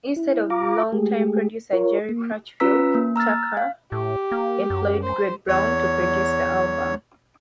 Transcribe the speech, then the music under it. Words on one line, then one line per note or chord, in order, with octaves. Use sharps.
Instead of longtime producer Jerry Crutchfield, Tucker employed Gregg Brown to produce the album.
E4
F4 F5 A#5 D6
G#3 A3 G4 G#4
F4 A#4 C#5
A#3
C#4 F4 B4 A#5 E6 B6
A#3
A#5 E6 F6 A6
F5
A2 G4
A#3
F#2
C5
E2 C#5